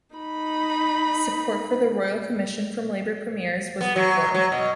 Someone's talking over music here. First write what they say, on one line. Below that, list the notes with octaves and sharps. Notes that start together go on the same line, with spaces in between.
Support for the royal commission from Labor premiers was "lukewarm".
D#4 B5
B3
F#3
F#3
B2